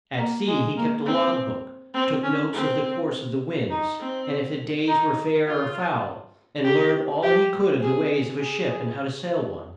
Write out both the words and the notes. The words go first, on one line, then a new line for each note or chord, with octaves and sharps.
At sea he kept a log-book, took notes of the course of the winds, and if the days were fair or foul, and learned all he could of the ways of a ship and how to sail one.
A#3
G#3
A#3
C4
C4
C#4
C4
D#4
C4
D#4
F4
G4
G4
G#4
G#4